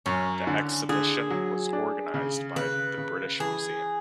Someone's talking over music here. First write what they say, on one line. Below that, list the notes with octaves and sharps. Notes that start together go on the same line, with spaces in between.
The exhibition was organized by The British Museum.
F#2 C#4
D3
D3 G#4
F#3
D4
C#3
C#3 B4
C#3
E3 G#4